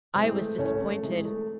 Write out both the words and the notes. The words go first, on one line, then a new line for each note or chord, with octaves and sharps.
I was disappointed.
C3 E3 G#3 C4
A3
C2 A3 C#4
A3
C3 E3 G#3
A3